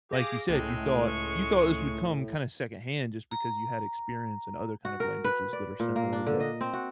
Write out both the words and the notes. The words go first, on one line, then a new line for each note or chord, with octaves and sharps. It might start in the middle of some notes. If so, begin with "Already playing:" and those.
like you said, you thought you thought this would come kinda secondhand just because you had experience in other kind of languages that are similar, but
G4 G#4 F5 D6 A#6
C#2 A2 G#3 A3 G5
C#6
A#5
F#4
A#4
B4
D5
A#2
A#3
D4
D3
D#5
C4
F#4